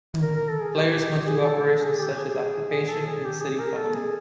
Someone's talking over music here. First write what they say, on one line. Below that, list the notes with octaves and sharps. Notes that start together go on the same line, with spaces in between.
Players must do operations such as occupation and city funding.
A#4
A#4
A4
G#4
G4
G#4
A4
A4
G#4
G4
G#4
A4
G#4
G4
G#4
A#4
A4
G#4